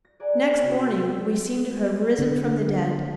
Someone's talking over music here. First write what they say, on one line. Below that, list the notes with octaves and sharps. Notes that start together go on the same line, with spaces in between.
Next morning we seemed to have risen from the dead.
A#6
G#4 D5 F#5 G#5 A#5
B3
C3 F#4
D6
D3